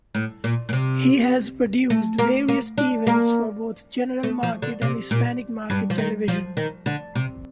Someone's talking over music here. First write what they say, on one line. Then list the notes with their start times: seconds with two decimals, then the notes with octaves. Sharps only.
He has produced various events for both general market and Hispanic market television.
0.15 A2
0.44 A#2
0.69 A#2
0.73 C3
1.90 A3
2.19 A#3
2.48 A#3
2.78 D4
3.07 A#3
4.23 A3
4.43 F3
4.62 D3
4.82 C3
5.11 A#2
5.70 G2
5.90 F3
5.98 D#3
6.28 F3
6.57 D#3
6.86 D3
7.15 C3